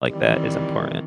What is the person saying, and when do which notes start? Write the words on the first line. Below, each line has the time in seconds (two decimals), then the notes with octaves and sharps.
like that is important.
0.11 D#3 E3 G3 C4